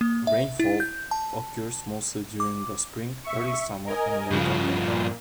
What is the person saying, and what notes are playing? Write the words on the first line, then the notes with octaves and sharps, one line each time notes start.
Rainfall occurs mostly during the spring, early summer and late autumn.
A#3
E5
E4
G6
A5
D6
E5 C#6
A#4 D#5 G#5
G2 C#3 F3
A#2